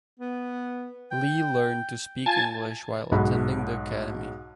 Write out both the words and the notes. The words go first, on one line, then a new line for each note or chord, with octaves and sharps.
Lee learned to speak English while attending the academy.
B3
G5
F4 G#5 A5
B1 G#2 F#4 B5